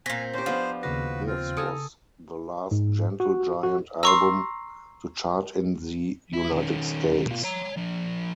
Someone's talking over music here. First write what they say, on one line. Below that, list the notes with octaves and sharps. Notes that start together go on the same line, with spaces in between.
This was the last Gentle Giant album to chart in the United States.
A#2 C4 G#5 A#6 B6
C#4 G4 C5
F3 B3 D4
D#2 C#3 F#4 B4 F5 A#6
C4 F4
C#3 A4 G#5 A#5 D#6
G#2
F#4
F#4
A#5 C6 C#6 E6
E4
D#3 C#4
B2 F4
C#5 A#5
F3 A#3